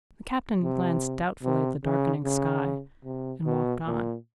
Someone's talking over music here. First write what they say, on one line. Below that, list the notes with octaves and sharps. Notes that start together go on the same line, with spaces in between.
The captain glanced doubtfully at the darkening sky, and walked on.
C3
C3
C#3
C#3
C3
B2
A#2